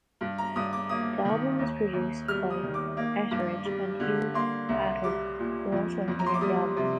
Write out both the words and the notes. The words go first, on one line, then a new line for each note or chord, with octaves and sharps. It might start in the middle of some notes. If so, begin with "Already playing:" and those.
The album was produced by Etheridge and Hugh Padgham, who also engineered the album.
G2
A#5
G2 D#6
D6
A#3 D#6
D#3
D#2
D#2
G3 F6
D#6
D#3
D6
A#3
G2
G3
D3
A#3 C6
C2
G3 D6
A#2
F2
F2
A#5
C6
D6
G3 D#6
C3